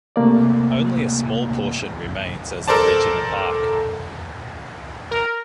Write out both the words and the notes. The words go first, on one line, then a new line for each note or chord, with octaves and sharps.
Only a small portion remains as the regional park.
C3 A3 A#3 D5
A4 A#4 C5 D5 A5
A#4